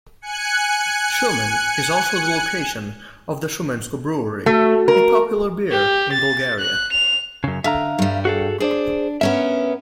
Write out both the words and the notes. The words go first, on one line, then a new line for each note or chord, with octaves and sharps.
Shumen is also the location of the Shumensko Brewery, a popular beer in Bulgaria.
G#5 F#6 C#7
A3 F#4
A#4
G4
A6
F#6
F7
F#2 C#3
D3 E5 F5 A#5
G2 G3
F#4 G#4 A4
D4 G#4 C5 D5
B3 C#4 A#4 E5